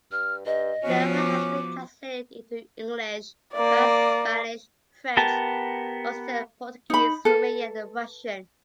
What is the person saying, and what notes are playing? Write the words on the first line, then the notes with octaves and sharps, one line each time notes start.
Their work has been translated into English, Basque, Spanish, French, Occitan, Portuguese, Romanian and Russian.
G2 F6
G2 D#5
F3 B3 C#4 F#4
D6
A#3 D5
B3 G4 A#4 A5
D#4 B5
A4 B4